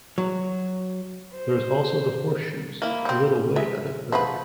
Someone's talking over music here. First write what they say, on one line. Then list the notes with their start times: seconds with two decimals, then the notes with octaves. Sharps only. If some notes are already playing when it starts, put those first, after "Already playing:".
There is also the Horseshoes, a little way out of the village.
0.18 F#3
1.36 C5
2.82 A#3 E4
3.05 G3 C4
3.56 G#3 E5
4.12 F3 F#4 B4 E5